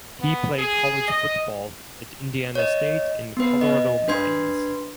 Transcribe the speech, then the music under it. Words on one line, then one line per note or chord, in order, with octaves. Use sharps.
He played college football at Indiana State and Colorado Mines.
B3
G#4
D#5
C#5 D#5
B3 B4
D#5
D4 B4 C6 G#6